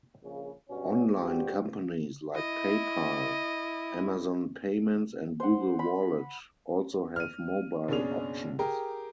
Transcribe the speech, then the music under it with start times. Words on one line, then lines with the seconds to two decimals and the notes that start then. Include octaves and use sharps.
Online companies like PayPal, Amazon Payments, and Google Wallet also have mobile options.
0.23 A#1 C#3
0.69 G2 B2 F#3 C#4
1.21 G2 F3 C4 F#4 G4
2.35 E4 D#5
5.40 C5 F#5
5.79 B5
7.16 F6 D#7
7.88 F#1 B2 C#4 D4 G#4 F7
8.59 G4 G#4 A#4 G5